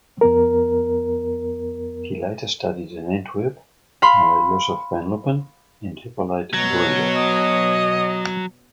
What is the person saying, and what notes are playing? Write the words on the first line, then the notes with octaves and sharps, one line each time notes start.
He later studied in Antwerp under Joseph Van Luppen and Hippolyte Boulenger.
F2 B3 A#4
F5 B5 C6
B2 F#3 C#5
D#5